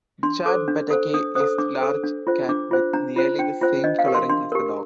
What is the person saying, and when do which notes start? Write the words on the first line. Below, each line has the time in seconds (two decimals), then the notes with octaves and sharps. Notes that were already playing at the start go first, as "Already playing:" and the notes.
The "chat Bateke" is large cat with nearly the same coloring as the dog.
0.23 D4 C6
0.46 A4 C5 D6
0.68 D4
0.90 A4 C5
1.14 D4 D#6
1.35 A4 C5 D#6
1.58 D4 D6
1.81 A4 C5
2.04 D4
2.27 F4 C5
2.49 D4 D6
2.71 F4 C5
2.93 D4 A#5
3.16 F4 C5
3.39 D4 G5
3.61 F4 C5
3.84 D4 D#5
3.99 F5
4.06 G4 A#4
4.15 C6
4.29 D4 C6
4.52 G4 A#4